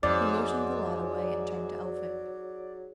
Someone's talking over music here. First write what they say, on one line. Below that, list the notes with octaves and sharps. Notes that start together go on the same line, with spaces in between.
He motioned the lad away, and turned to Elphick.
F2 G#2 F#3 D5